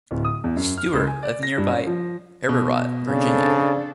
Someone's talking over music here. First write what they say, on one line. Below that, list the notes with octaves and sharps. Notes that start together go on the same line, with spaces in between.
Stuart, of nearby Ararat, Virginia.
D1
D#6
E2
F#2
F6
C#2
G#5
D5
A#6
G2
C#4
F3
B2
C#3 C4 D4 A4